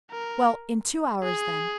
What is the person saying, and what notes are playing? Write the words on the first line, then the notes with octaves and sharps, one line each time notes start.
"Well, in two hours, then."
A#4
G#4